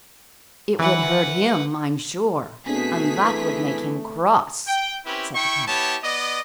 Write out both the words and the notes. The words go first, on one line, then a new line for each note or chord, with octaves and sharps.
"It would hurt him, I'm sure, and that would make him cross," said the cat.
E3 B4 F#5
B2 A3 B3 C4 D4 G#4 B6
E3
G5
C4 C#4 E4 G4 B4
E4 G5 C#6
B3 E4 G4 C#5 A5
B3 D5 D#5